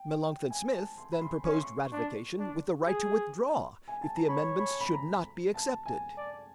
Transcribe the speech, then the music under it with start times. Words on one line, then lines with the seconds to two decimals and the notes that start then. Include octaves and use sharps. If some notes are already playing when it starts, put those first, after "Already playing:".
Melancthon Smith then proposed ratification with the right to withdraw if the amendments should not be accepted.
Already playing: G5
0.50 G#5
0.74 A5
0.98 C6
1.12 B5
1.22 C6
1.45 C#4 C#6
1.53 C6
1.61 C#6
1.92 D4 C#6
2.39 D4
2.87 G#4
3.88 G#5
4.02 A5
4.15 A#5
4.28 C#5 B5
4.60 B5
4.80 B5
4.92 A#5
5.54 A5
5.86 G#5
6.17 D5